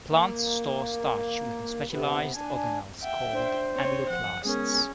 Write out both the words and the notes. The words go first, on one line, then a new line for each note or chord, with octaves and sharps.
Plants store starch within specialized organelles called amyloplasts.
A#3
C3 B3
D4 G#5
E5 F#5 G5
D4 C5 D5
C4 C#5
F3 F#5
G#3 B3 C#4 G#4 A#4